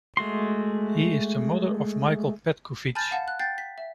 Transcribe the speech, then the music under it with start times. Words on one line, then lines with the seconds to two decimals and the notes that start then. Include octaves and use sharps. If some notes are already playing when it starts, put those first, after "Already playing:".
He is the brother of Michael Petkovic.
0.17 G#3 A3 F#4 C6
2.95 G#5 A5 B5 F6 G6 A6
3.11 F5 F#5 A5
3.28 F#6
3.39 G5 G6 A6 C7
3.58 B6
3.78 E5